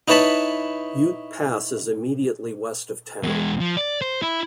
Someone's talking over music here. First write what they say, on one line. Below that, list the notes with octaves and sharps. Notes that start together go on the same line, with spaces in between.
Ute Pass is immediately west of town.
D#4 E4 B4 C#5 A5 B5
E2 G#3
F3
D5
C5
E4